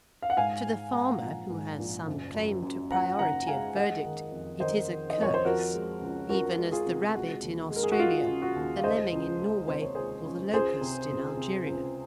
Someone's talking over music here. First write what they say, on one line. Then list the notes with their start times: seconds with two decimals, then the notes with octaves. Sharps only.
To the farmer, who has some claim to priority of verdict, it is a curse, even as the rabbit in Australia, the lemming in Norway, or the locust in Algeria.
0.22 F5
0.30 F#5
0.37 G#2 F5 G#5
0.66 G#2
0.93 G#2 F#5 A#5
1.22 A#1
1.50 G#2
1.79 A#1
2.07 F#1
2.35 F#2
2.63 F#2
2.91 F3 F#5 A#5
3.19 F#1 F#5 A#5
3.47 G#3 F5 G#5
3.76 G#3 D#5 F#5
4.05 D#3
4.32 F2
4.60 D#3 C5 D#5
4.89 D#3
5.10 D#5
5.18 F2 C#5
5.34 C5
5.45 F3 F#4 A#4
5.74 G#3
6.01 C#2
6.29 C#2 F#4 A#4
6.58 G#3
6.72 F4 G#4
6.86 C3
7.15 G#3 F#4
7.42 D#2
7.70 G#3
7.76 A#4
7.83 G#4
7.92 F#4
7.99 G#3 F4
8.27 C#3
8.42 F#4
8.56 D#2
8.76 F5
8.83 G#3 C5 D#5
9.12 C#2
9.40 G#3
9.68 C3 C5
9.82 C#5
9.95 G#3 G#4 C5
10.24 C#2
10.53 C#2 G#4 C5
10.81 C3
11.10 C#2
11.37 C3
11.66 C#2